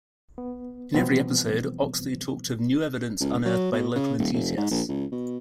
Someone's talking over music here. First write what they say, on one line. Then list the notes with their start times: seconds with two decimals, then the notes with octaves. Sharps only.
In every episode, Oxley talked of "new evidence unearthed by local enthusiasts".
0.38 B3
0.94 B2 E3 F3 G3 B3 C4
3.21 C#2
3.45 F#3
3.73 B2
3.95 C#3
4.19 D#1
4.34 F1
4.57 G#2
4.71 A#1
4.89 C#2
5.12 B2